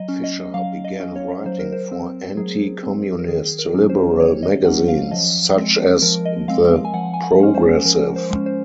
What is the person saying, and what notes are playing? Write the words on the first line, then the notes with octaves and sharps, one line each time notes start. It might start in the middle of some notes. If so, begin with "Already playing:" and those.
Fischer began writing for anti-Communist liberal magazines such as "The Progressive".
Already playing: F#3 D#5
C#4
D#5
F#3 F5
D#5
C#4
C#5
F#3 C5
A#4
C5
C4
F#3 G#4
C4
A#4
D#3 G#4
A#4
F#3 C#4
C5
D#3 C#5
D#5
F#3 C#4 F#5
F5
F3 D#5
G#3 C4
F3 A#4
D#5
G#3 C4 F5
G#5
F3 F#5
G#5
F#5
G#3 C#4
C5
F3 A#4
C5
G#3 C#4
C5